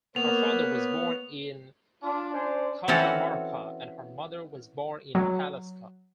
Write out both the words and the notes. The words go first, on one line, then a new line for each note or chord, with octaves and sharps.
Her father was born in Cajamarca and her mother was born in Pallasca.
A#3 B3 C#5 F7
D4 F4
C#4 D4 C5
E3 C4 C#4 F#4 A4
F#3